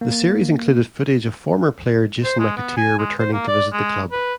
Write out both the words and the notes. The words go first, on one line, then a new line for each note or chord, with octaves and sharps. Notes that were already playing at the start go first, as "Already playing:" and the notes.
The series included footage of former player Jason McAteer returning to visit the club.
A#3
C5
G#3
B3
G#5
G#3
C5
A#3
D5
G#3
B4